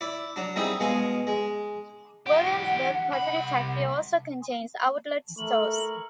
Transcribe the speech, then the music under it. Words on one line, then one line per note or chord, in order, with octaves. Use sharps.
Williamsburg Pottery Factory also contains outlet stores.
E4 D5
F#3 D4
G3 C4 D#4 E4 G#4
B2 G#3 F5 G#5
G#3
E3 G4 F#5
C2 B5
A3 E4 A#4 C#6 F#7